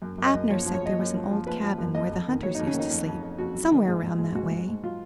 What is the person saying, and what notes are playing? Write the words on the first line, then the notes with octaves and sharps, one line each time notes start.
Abner said there was an old cabin, where the hunters used to sleep, somewhere round that way.
F#2
F#2
D#5
F#2
F3 C#5
F3
C#5
F3 D#5
F#2
F3
F3
F3 B4
F3
F#2
F2 D#5
F2
D#3
F#3 C#5
D#4
F2
C#4
D#3
D#4
F2
F2
F2
F2 F#4
F#3
D#3
G#2 G#4
G#2
G#2
G#2 F#4
G#2
G#2
F#3 F4